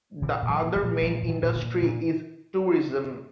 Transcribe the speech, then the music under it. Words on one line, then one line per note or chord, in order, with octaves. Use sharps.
The other main industry is tourism.
A#2 D3 E3
A#2
E3 F#3
A#2
F3 G3
A#2
A#2 F3 G3
A#2
D#3 F3
A#2
D3 E3
A#2
A#2 D3 E3